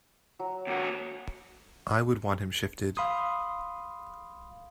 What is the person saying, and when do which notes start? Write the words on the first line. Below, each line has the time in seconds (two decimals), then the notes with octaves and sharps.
I would want him shifted.
0.39 F#3
0.67 D#2 F#4
2.97 F5 B5 C6 D#6